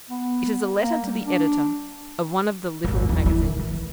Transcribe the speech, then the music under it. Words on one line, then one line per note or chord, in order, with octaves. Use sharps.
It is a letter to the editor of one of the "Little Magazines."
B3
A#3
G3
D4
G#1 D#2
E2 F#3
E4
D#3
E3